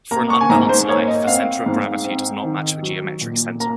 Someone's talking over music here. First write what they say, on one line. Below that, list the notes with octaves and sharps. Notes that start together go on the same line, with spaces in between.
For an unbalanced knife, the center of gravity does not match the geometric center.
A#3 A#5
C#6
G#5
G#2 A#5
C5
A#3 C#5
D#5
F#5
C4 F5
G#2
C4
D#3
F#3
A#2
A#3 A#5